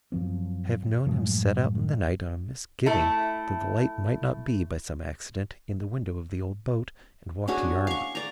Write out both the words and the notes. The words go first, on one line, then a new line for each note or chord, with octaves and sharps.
I have known him set out in the night, on a misgiving that the light might not be, by some accident, in the window of the old boat, and walk to Yarmouth.
F#2 F3 C4
F#2 A2 F3 G#3
A3 E4
C#4 D4 F#4 G#4
F5 C#6
D5 A#5